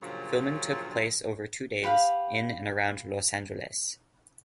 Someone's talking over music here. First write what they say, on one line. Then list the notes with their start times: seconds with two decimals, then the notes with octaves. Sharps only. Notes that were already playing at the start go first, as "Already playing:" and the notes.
Filming took place over two days in and around Los Angeles.
0.02 G2 A#2 C#3 F3 F#3
1.83 G4 B4 F5 F#5